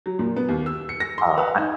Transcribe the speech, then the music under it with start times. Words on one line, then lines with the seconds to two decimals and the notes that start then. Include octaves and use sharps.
Uh, I
0.06 F#3
0.19 A#2
0.36 B3
0.49 D#2
0.66 E6
0.89 C#7
1.00 A#6
1.18 C6
1.37 B4
1.58 D#4